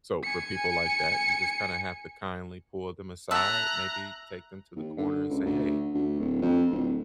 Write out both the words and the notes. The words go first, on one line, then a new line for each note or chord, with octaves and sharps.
So for people like that, you just kinda have to kindly pull them aside, maybe take them to the corner and say, "Hey,"
G#5 C#7
E5 A5 A#5 F#6
D#2
D3
C#2
D2
D2
D1
F2
D1